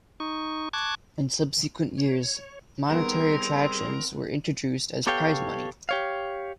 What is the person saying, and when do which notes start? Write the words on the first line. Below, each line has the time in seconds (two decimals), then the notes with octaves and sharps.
In subsequent years monetary attractions were introduced as prize money.
0.20 D#4 C#6
0.73 A5 C#6 D6 F#6 G#6
1.98 C#5
2.90 D#3 G3 B3 C4 G#4 A#4
5.07 B3 G4 A4 C#5 F5 G5
5.89 G4 C#5 F5